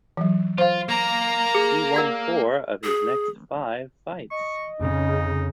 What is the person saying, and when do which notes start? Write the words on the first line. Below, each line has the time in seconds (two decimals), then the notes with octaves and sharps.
He won four of his next five fights.
0.17 E3 F#3
0.58 F4 C5 F5
0.89 A#3 A#5
1.54 G#4
1.94 A#4 D5 F#5
2.84 G#4
4.31 D#5 C#6
4.80 F2 C#3 D#4